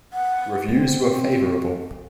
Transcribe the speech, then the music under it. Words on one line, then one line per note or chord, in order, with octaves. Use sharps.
Reviews were favourable.
F#5
C4